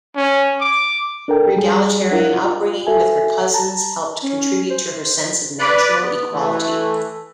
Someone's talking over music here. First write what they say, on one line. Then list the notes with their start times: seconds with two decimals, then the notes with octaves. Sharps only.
Her egalitarian upbringing with her cousins helped contribute to her sense of natural equality.
0.16 C#4
0.60 D6
1.28 D4 A4 A#4 G5
1.57 G3 G#4
2.11 D4 E4 F4 A#4 F#5
2.44 F4
2.87 F#4 A4 E5 G#5
3.54 A5 A#5
4.23 C#4
4.70 C5
5.60 B4 D5
5.98 B3
6.32 E3 A3